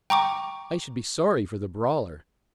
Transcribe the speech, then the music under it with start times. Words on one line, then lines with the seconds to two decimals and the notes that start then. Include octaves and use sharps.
"I should be sorry for the brawler."
0.10 G5 A#5 C#6 D6